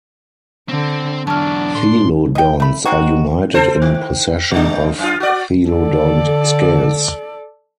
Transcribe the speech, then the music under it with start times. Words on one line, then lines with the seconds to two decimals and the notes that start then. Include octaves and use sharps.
Thelodonts are united in possession of "thelodont scales".
0.69 D3 C4
1.27 E2 F#3 D4 A5 F6
1.75 A2 C6
2.35 D#5 G5
2.60 A3 B5
2.85 G#3 C4 D#4 F#4
3.54 A4 C5
3.82 D#3
4.51 G3 D4
4.99 F#2 F4
5.20 F#4 D5
5.70 D3 A4 D5